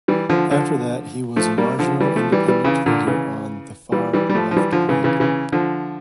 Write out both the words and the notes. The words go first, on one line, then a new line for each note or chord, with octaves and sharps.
After that he was a marginal independent figure on the far left-wing.
E3 G3
D3 F3
D3 F3
F3 A3
G3 A#3
D3 F3
E3 G3
F3 A3
E3 G3
E3 G3
C#3 E3
A#2 D3
C#3 E3
E3 G3
E3 G3
G3
F3 A3
F3
E3 G3
D3 F3
C#3 E3
C#3 E3
C#3 E3
D3 F3